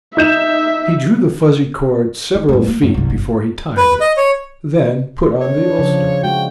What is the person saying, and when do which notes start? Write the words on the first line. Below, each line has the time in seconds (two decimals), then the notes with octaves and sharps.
He drew the fuzzy cord several feet before he tied it, then put on the ulster.
0.17 D#4 E5 G6 E7
2.35 D#4
2.49 A2 G3
2.68 A#3
2.82 F#2 F#3
2.94 G1 C2
3.10 G1
3.77 B4
4.01 D#5
4.17 C#5
5.41 C#5
5.58 D4
5.79 C#3 F3
6.23 G#3 F#4 G5